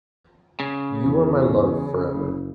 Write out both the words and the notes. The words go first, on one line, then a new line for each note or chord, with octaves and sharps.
You are my love forever.
C#3
E2
F#1